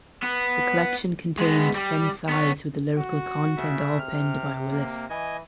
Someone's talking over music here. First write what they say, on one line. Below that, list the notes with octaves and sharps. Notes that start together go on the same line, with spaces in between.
The collection contained ten sides with the lyrical content all penned by Willis.
B3
G#3 B3
G3
B3 C#5
F#4
C#3 E5
C3 F6
A#3
E3 D#5 G#5